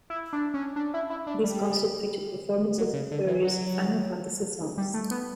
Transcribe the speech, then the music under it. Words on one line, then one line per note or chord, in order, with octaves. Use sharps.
This concert featured performances of various "Final Fantasy" songs.
E4
D4
C#4
D4
E4
E4
D4
G3
F#3
C#3
D3
E3
F#3
G3
A3
B3